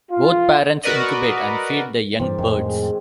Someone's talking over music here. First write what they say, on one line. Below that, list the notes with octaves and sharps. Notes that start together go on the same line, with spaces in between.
Both parents incubate and feed the young birds.
F4
F#4 A#4 B4 D5 D#5
G2 E3 C4 A#4 D5
F2 A2 D#3 G#5
G#3